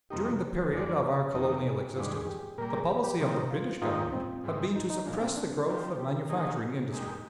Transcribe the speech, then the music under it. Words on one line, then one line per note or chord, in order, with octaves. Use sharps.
During the period of our colonial existence, the policy of the British Government had been to suppress the growth of manufacturing industry.
F2 C3 G3 A#3 D#4 G4
F2 D3 G#3 D4
F2 D#3 A#3 D#4 F4
G#4
G4
G2 D#3 G#3 D4 F4
G#4
G4
A#2 G3 A#3 A#4
G#4
G4
G4
C3 D#3 G3 A#3
F4
G#2 D#3 A#3 D#4 F4 G4
C4
G#2 G3 C4 D#4
D#4
D#4
A#2 F3 G#3 D4
C4
D4
F3 C4 D#4 G4
G4
D#3 A#3 D#4 G#4
A#2 G#3 D#4 G4